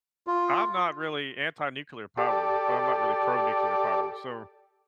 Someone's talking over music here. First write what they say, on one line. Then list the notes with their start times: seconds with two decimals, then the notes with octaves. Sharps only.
I'm not really anti-nuclear power, but I'm not really pro-nuclear power, so
0.27 F4
2.17 G4 A4 D5